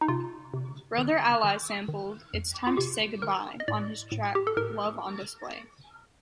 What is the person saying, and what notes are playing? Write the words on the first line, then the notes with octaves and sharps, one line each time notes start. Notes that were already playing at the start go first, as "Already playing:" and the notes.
Brother Ali sampled "It's Time to Say Goodbye" on his track "Love On Display".
D#4
C3 F4
C3
D#3
D#3
D#3
F2
F4
C3 G4
D#3 A#4
D#5
A2 D5
A2
G4
A4
A2 A#4